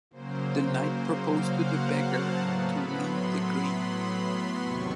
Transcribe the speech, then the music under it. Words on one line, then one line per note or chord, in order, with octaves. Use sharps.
The knight proposed to the beggar to leave the grain.
C#3 F#3 A#3 C5
F5
F#5
A5
A2 F#3 B3 A#5
B5
C6
B5
E2 C3 D#3 C#6